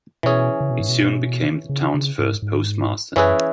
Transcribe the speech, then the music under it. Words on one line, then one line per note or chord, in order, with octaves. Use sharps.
He soon became the town's first postmaster.
B2 E3 C#4 G#4
C#3
B2
G#2
B2
C#3
C#3
G#2
G#2
F#2 E3 C#4 E4 G#4 B4